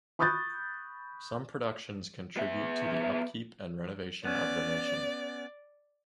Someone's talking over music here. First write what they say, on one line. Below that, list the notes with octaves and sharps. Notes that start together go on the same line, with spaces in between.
Some productions contribute to the upkeep and renovation of the mansion.
B5 C#6 D#6 F#6 G6 A6
B3 E5
B3 C#4 D5